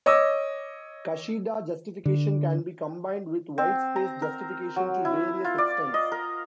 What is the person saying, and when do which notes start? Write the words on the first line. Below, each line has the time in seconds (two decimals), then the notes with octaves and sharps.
Kashida justification can be combined with white-space justification to various extents.
0.06 C#5 D#5 D6 E6
2.05 D3
3.58 C4
3.96 A#5
4.22 A#4
4.76 F#3
5.05 E4
5.44 F4
5.58 D5
5.94 D#5
6.12 A#4